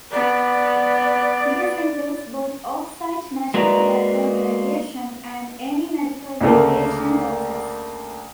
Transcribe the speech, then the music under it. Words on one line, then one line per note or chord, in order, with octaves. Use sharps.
This includes both offsite "natural background radiation" and any medical radiation doses.
B3 D5
G#3 A#3 F#4 B4 D5 A#5
D2 C#3 A3 A#3